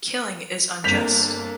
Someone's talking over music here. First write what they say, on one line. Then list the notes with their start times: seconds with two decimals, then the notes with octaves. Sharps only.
Killing is unjust.
0.84 G1 A#3 C4 D4 A4 G6 B6 F7